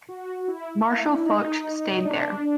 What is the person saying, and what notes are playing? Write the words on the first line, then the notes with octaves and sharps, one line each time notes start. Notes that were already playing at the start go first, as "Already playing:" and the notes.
Marshal Foch stayed there.
F#4
E4
D#4
D4